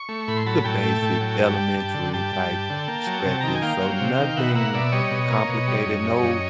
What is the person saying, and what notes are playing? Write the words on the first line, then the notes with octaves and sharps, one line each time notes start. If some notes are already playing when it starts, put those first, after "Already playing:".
the basic elementary type stretches, so nothing complicated. No
Already playing: C#6
A3
A2 B5
C6
F#3 A5 B5
A2 G5 A5
A3
A2
F#3
G2
G3
G2
D3
G2 G5 A5
G3
G2
D3
A#3
F#3
C3
A#5
D#3 A5
G#5
A#3 F5 G5
F#3
C3
D#3
B2 E5 F#5
A#3 E5 F#5
B2 D5 E5
G3 C#5 D#5
B2
A#3
B2
G3
F#2
G3
F#2